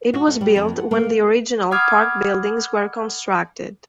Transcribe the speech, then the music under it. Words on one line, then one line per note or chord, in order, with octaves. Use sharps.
It was built when the original park buildings were constructed.
F#4
A3
G3
F2
F#5
A#3
F#5 B5 D6 D#6 F6 G#6